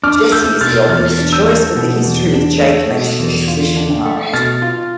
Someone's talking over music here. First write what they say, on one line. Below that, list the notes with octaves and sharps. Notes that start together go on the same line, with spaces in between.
Jesse is the obvious choice, but the history with Jake makes the decision hard.
D4 D6 F6
A3 E6 G6
B2 F6 A6
E2 F6 A6
D4
E6 G6
A3
B2
E2
D4
A3
B2
E2
F4
D4
A3
B2 F6 A6
F4